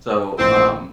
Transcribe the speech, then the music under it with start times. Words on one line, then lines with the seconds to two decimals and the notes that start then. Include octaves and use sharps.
so, um,
0.38 A#1 A2 E3 C4